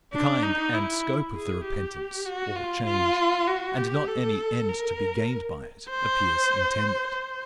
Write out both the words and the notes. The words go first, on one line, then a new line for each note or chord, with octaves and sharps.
The kind and scope of the repentance or change, and not any end to be gained by it, appears intended.
D4
D#4
E4
G#4
G4
F#4
F4
F4
F#4
G4
A4
A#4
C5
C5